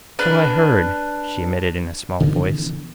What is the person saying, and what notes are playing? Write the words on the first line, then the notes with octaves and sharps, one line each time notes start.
"So I heard," she admitted in a small voice.
D4 B4 F6
C#3 E3 F3 B3